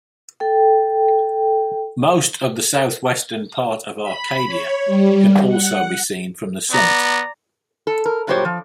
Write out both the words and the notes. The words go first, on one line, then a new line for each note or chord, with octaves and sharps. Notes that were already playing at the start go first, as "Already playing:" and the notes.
Most of the southwestern part of Arcadia can also be seen from the summit.
A4 G5
B5
C#5
G3
F#5
B3 D5 A#5
A4
A#4
G2 A#2 F#3 G4 C5 C#5
F3